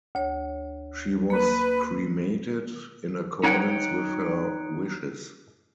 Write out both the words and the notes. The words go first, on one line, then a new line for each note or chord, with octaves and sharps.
She was cremated in accordance with her wishes.
D2 C#5
A#3 B4
D#4 C#5 F#5 G5